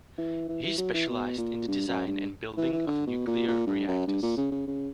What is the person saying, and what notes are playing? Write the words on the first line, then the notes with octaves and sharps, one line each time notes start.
He specialised in the design and building of nuclear reactors.
E3
E3
E3
F#3
E3
B2
A#2
G2
F#2
G2
E3
E3
D3
B2
A#2
A#2
G2
F#2
G2
A#2
C#3
C#3
C#3